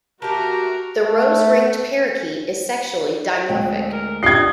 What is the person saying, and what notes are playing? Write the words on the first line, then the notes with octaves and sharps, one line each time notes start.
The rose-ringed parakeet is sexually dimorphic.
A3 F#4 G4 A#4
A3
D2 G#3 C4 G5
A#4
D4 F4 G4 D#5 G#6 C7